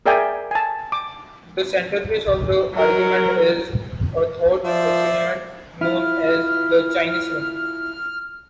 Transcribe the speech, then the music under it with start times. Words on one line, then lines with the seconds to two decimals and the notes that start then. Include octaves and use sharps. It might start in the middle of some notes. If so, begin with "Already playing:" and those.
The centerpiece of the argument is a thought experiment known as the Chinese room.
0.06 G#4 A#4 D5 E5 G5 G#5
0.51 G#5 A5
0.92 D6
2.73 F#3 A#4
4.64 F3 C5 D5 E5
5.81 E4 F4 F6